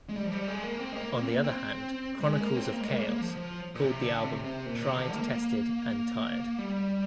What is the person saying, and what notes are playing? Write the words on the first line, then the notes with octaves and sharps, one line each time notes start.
On the other hand, Chronicles of Chaos called the album "tried, tested and tired".
G#3
G3
F3
G3
G#3
A#3
C4
G#3
A#3
A#3
C4
A#3
C4
G3
G#3
A#3
C4
A#3
G#3
A#3
G#3
A#3
F3
F3
A#2
C3
D3
C3
C3
A#2
C3
D3
A#3
A#3
G3